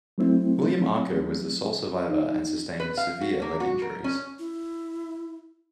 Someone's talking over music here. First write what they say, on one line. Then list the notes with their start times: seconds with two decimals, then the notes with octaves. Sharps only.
William Arko was the sole survivor and sustained severe leg injuries.
0.18 F#3 A3 C4 E4
2.09 D#4
2.80 B4
2.97 F5
3.21 F#4
3.42 A#3
3.60 F#4
3.82 A#4
4.04 C#4
4.39 E4